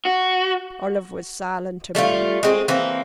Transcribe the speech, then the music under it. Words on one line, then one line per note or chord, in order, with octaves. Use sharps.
Olive was silent a moment.
F#4
G3 A3 E4 F4
G#3 C4
E3 A#3 C4